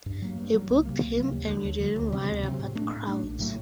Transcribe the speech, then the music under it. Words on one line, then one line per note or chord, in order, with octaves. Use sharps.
You booked him and you didn't worry about crowds.
G2
F#3 A#3
G2
F#3 A#3
C2
C3 F#3 A#3
C2
C3 F#3 A#3
D#2
D3 F#3
D#2
D3 F#3
D2
C3 F#3 C4
D2
C3 F#3 C4
A2
A3 D4
A2
A3 D4
A#1
A2 F#3 A3